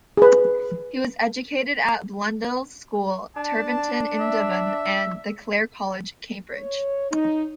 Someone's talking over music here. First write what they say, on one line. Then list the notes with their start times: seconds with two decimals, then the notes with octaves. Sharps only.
He was educated at Blundell's School, Tiverton in Devon, and at Clare College, Cambridge.
0.17 G#4 B4
3.36 D4 A5
4.19 E5
6.53 C#5
7.11 D#4